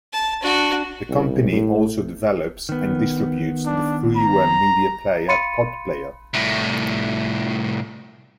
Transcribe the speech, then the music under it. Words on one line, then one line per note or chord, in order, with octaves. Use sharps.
The company also develops and distributes the freeware media player PotPlayer.
A5
D4 F#4
C2
A2
D#3 B3
D4
A#5
F5 B5 C6 A6 C#7 D#7
C2 A2